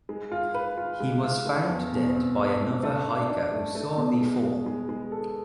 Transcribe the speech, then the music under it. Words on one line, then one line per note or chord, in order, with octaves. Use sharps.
He was found dead by another hiker who saw the fall.
G#3
F4
B4
F4
G#3
F4
A3
E2
B2
C4
A3
C4
A3
D4
D4
A3
A3
B2
G#3
G#3
G#3
G#3
A4